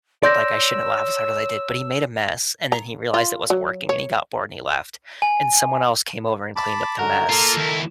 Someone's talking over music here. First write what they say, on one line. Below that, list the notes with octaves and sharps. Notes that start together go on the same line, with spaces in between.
like, I shouldn't laugh as hard as I did, but he made a mess. And then he realized it wasn't working, and he got bored, he left. And someone else came over and cleaned up the mess,
C#5 D5 C6 E6 G6 A#6
A#5
F4
F#3
C#5
G#5
A5 B5 D6
F#2 D3 F#4 A#4
A#3 F4 A4
D#2 E4